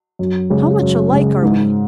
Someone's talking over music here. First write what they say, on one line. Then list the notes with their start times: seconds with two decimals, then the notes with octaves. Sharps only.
How much alike are we?
0.19 F#2
0.50 C#3 G#3
0.81 F#2
1.12 C#3 G#3
1.42 G#2